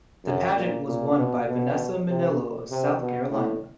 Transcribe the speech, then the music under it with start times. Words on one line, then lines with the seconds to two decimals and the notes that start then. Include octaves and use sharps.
The pageant was won by Vanessa Minnillo of South Carolina.
0.25 F#2
0.56 A#2
0.87 A#2
1.17 B2
1.47 B2
2.09 C3
2.70 C3
3.01 B2
3.31 A2